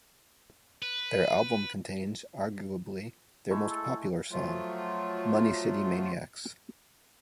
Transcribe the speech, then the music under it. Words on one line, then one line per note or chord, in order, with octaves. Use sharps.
The album contains arguably their most popular song, "Money City Maniacs".
B4
G#3 A3 E4
A4
F3 F#3 A3 F4